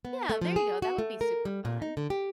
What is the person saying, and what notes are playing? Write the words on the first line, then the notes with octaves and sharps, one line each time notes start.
Yeah, there you go, that would be super fun.
B3
A3
F3
G#4
F#4
A3
A#4
G3
A#2
D#4
D3
G4